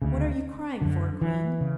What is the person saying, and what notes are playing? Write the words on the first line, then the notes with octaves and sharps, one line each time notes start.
"What are you crying for, queen?"
D2 C#3
F#2 D3
E3
C#3